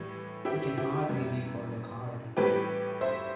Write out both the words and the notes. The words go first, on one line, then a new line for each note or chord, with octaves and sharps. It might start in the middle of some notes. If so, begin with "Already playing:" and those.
It can hardly be called a card.
Already playing: A2 E3 G3
E4 G4
E4 G4
F#2 E3 G3
A2 E3 G3 G4 B4
C5 E5